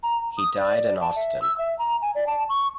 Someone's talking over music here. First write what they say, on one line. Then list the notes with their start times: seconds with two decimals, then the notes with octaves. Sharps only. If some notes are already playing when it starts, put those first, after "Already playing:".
He died in Austin.
0.03 A#5
0.37 D#6
0.56 D5
1.01 A5
1.16 E5
1.42 E6
1.58 E5
1.79 A#5
2.02 G#5
2.15 D5
2.27 A5
2.49 C#6